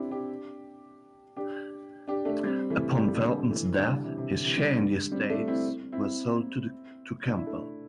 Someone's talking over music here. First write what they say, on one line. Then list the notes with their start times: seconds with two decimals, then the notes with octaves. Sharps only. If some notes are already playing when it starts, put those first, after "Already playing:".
Upon Felton's death, his share in the Estates were sold to Campbell.
Already playing: C4 D4 E4 G4
0.11 D4 G4
1.37 D4 G4
2.08 D4 G4
2.25 A3 D4
2.44 G3 C4
2.70 E3 A3
2.97 G3
3.06 A3
3.15 D3 G3
3.50 E3 A3
3.78 D3 G3
4.04 C3 E3
4.17 C3
4.31 D3
4.44 C3 E3
4.57 D3 G3
5.12 G3 C4
5.29 A3 D4
5.48 C4 E4
5.92 C4 E4
7.26 D4
7.36 E4
7.46 A3 D4